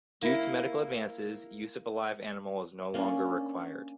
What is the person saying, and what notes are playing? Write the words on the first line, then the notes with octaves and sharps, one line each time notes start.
Due to medical advances, use of a live animal is no longer required.
A#3 E4
A#3 C#4 D4